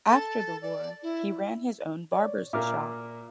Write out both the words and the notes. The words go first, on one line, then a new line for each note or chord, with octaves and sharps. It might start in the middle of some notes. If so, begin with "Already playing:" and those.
After the war, he ran his own barber's shop.
A4
D5
E4
C#5 D5
A#2 A#3 E5 D6 F6